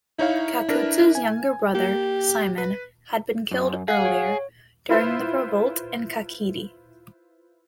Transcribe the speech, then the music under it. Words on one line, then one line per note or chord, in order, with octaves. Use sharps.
Kakutsa's younger brother, Simon, had been killed earlier, during the revolt in Kakheti.
D#4 E4 C#5 F5
D4 A#4 B4
G#5
A#3 G4
B4
F#2
G#4 F5 F#5
C#5
E4 F4 B4 C5 E5